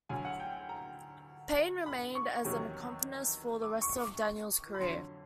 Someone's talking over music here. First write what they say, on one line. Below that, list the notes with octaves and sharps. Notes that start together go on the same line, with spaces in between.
Payne remained as accompanist for the rest of Daniel's career.
D2 D3 F#3 G#5
F#5
G5
A#5
B5
C#6
E2 C3 D#3 F#3
D6
C#6
D6
B5
F2 D3 F#3 C6